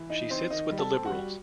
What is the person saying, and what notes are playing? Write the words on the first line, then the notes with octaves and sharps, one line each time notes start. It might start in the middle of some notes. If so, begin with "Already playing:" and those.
She sits with the Liberals.
Already playing: E3
D#4 D#5
C4 D#4 C5
D#3 D#4 D#5
G3
A4 A5
C4
F#4 F#5
G3